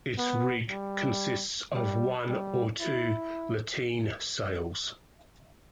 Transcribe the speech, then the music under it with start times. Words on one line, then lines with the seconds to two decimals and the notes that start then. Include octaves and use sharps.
Its rig consists of one or two lateen sails.
0.18 B3
0.70 G3
1.75 G3
2.28 G3
2.80 E4